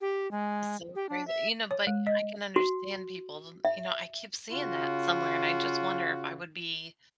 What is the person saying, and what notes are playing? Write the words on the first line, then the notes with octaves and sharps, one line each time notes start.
It's so crazy, you know, but I can understand people, and, you know, I keep seeing that somewhere and I just wonder if I would be,
G4
G#3
G4
D4
E5
C#5
G#3
D#5
F#4
E5
C#3 F4 F#4